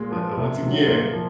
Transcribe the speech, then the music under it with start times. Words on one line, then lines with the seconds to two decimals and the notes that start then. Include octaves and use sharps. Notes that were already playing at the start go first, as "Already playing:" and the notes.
But a once again
Already playing: A#2 G#3
0.12 F3
0.37 C3
0.62 D#3 F#3
0.87 A#2 A#3
1.12 F3